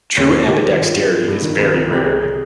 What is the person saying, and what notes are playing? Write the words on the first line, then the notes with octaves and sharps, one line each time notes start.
True ambidexterity is very rare.
D#2 C#5
C5
D#2
F4
D#3 G4
G3 G4
G2 F4
G2
F3
G2
D#3
C2
C2
C2 G4
C3 G#4